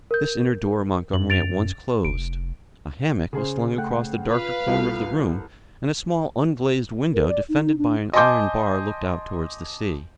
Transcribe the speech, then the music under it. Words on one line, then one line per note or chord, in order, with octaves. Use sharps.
This inner door Montgomery at once closed. A hammock was slung across the darker corner of the room, and a small unglazed window defended by an iron bar looked out towards the sea.
A#4 G6
F#2 F#7
A6 D7 F7
F1 D7
C#3 G#4 C5
A3 F#5 G5
F4 B4 F5
C2 F4 A4
A#4
D5
D#4
D4
D#5 G#5 A5 C6 D6 G6